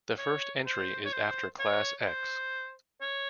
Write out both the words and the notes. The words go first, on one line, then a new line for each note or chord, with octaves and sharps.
The first entry is after class X.
C#5
C5
C#5
C5
C#5
C5
C#5